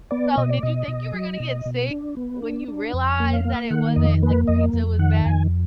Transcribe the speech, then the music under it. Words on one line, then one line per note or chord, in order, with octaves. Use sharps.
So, did you think you were gonna get sick when you realized that it wasn't like, the pizza was bad?
B3 D5
B2 D#5
D5
B2 D#5
B2
F#3
B2
B2
D4
B3
D4
D4
F2
A#3
F5
A#3
D#3 F#5
F2 D#5
A#3 B4
F2 D#5
F2
D#3 F#5
F2 G#5